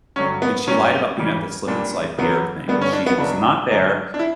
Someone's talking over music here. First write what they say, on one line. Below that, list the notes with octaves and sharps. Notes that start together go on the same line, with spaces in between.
and she lied about being at the slip and slide beer thing, she was not there.
G2 D3 F#3 C#4
B3
G2 F#3 C#4
E2 C#3 E3 G3
A#2 G3 D4
E2 C#3 F#3 B3
G2 D3 G3 B3
C#4
D4
B3
C#2 C#3 F#3 D4
F#2 D3 F#3
D4
E4